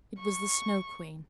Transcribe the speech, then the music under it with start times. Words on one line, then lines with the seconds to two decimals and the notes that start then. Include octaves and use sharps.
It was the Snow Queen.
0.20 C#6